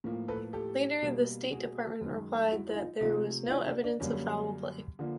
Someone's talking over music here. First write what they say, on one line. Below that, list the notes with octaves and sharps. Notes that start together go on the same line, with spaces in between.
Later the State Department replied that there was no evidence of foul play.
A2 F3 A#3
A4 B4
G4 A4
B2 G3 A#3
F#4 G#4
F#2 D#3 G#3
E4 F#4
E4
D#4 F4
C3 F3 A3 D#4 F4
F4
D4 E4
D4
D4
F#2 D3 G3 A#3 C#4
D3 F3 A#3